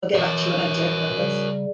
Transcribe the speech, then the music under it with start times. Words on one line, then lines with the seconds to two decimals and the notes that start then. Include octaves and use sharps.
I'll get back to you when I have a joke about this.
0.14 B2 E3 A#4 C#5
1.18 C#3 G3